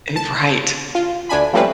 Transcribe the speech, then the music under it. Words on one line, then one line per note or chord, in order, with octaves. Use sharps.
It right.
A5
F4
D2 D4 G#5 B5
F3 G3 A3 C4 C#4 B4